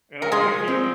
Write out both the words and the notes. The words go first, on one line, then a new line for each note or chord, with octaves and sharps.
And I'm gonna keep
A#4
G#3 F4 G#4
C4